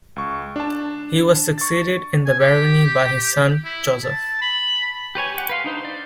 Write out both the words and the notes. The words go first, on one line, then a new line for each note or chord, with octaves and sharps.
He was succeeded in the barony by his son, Joseph.
C#2 C#6
D4 A5
C#6 A6
G#5
G4
E4
A5
B5
G4 B4 C#5 G#5
G4 F#5
B4 F5 C6
D4 D#4 C5
D5